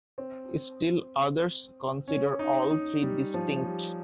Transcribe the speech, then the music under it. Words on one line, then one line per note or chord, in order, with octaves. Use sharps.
Still others consider all three distinct.
C4
C#4
D#4
D#4
G3
F3
G3